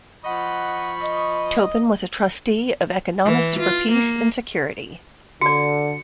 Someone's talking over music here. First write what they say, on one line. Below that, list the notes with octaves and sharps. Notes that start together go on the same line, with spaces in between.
Tobin was a trustee of Economists for Peace and Security.
F3 D#5 F#5 B5 C#6
D#5
E3
F4
A#3
D3 F#4 D5 C#7